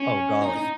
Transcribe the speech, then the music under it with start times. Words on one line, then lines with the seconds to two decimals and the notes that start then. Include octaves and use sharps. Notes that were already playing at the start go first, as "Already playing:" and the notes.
Oh, golly.
Already playing: C#4
0.41 D#4
0.56 D#4